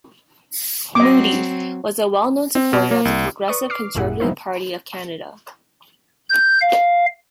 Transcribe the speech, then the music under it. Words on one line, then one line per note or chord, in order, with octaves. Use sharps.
Moodie was a well known supporter of the Progressive Conservative Party of Canada.
F#3 C4 D#5 D6
C4
B2
A#3
C2
B4 D5 C#6 D#6
D6 F6 C7
G#1 F#2 A#2 E4 G#4 F#5
F3 G3 B3 D#4 E4 C5
G6
F5